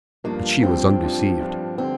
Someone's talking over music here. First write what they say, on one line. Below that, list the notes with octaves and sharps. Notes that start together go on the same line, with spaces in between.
But she was undeceived.
G2 F3 A#3 D4
G2 F3 C4 D4
G2 F3 D4
G2 F3 D4
D3 G3 C4